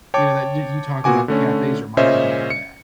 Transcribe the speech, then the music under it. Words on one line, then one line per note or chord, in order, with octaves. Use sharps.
you know, that did you talking about the cafes reminded me of that.
C#5 G5 A5 D6
A#2 B3 F#4 G#5 D6
D3 A3 C#4
A#2 C#3 C#4 C5 D#5 E5
C#7